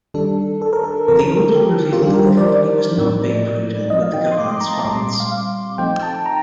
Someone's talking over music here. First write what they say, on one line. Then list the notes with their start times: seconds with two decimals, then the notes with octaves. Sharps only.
The audit revealed that the company was not being prudent with the government's funds.
0.14 D#3 G3 D4 A4
0.62 A4
0.73 A#4
0.84 A4
1.08 D3 F3 C4 A#4
1.32 A4
1.55 G4
1.93 F4
2.02 D#3 G3 D4 G4
2.14 A#4
2.27 C5
2.37 D5
2.49 D5
2.96 A2 F3 C4 D#4
3.90 F3 C4 D#4 D#5
4.02 F5
4.13 G5
4.26 D#6
4.32 C6
4.38 D6
4.50 C6
4.61 A#5
4.73 A5
4.79 A#5
4.85 A#2 G3 C4 C6
4.96 D6
5.08 C6
5.20 F5
5.32 F5
5.78 F3 A3 C4 D#4 G5
6.03 A5
6.26 A#5